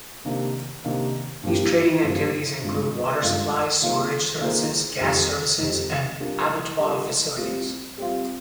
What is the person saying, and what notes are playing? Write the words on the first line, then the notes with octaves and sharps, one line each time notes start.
These trading activities include water supply, sewerage services, gas services and abattoir facilities.
C3 D#3 A#3 D4
C3 D#3 A#3 D4
G2 F3 A#3 D4 G4
G2 F3 A#3 D4 G4
G2 D#3 G#3 D4 F4
G2 D#3 G#3 D4 F4
D#3 A#3 F4 G#4 C5
D#3 A#3 F4 G#4 C5
F2 D#3 G3
F2 D#3 G3
G3 D4 F4 A#4
G3 D4 F4 A#4
G3 C4 F4
G3 C4 F4